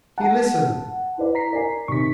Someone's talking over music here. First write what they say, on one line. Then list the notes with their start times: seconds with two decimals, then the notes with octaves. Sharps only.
He listened.
0.18 F#5 A5
1.18 E4 B4 D5
1.35 A#5 B6 C7
1.51 A#4 D5 G#5
1.88 C3 D#3 C#6 B6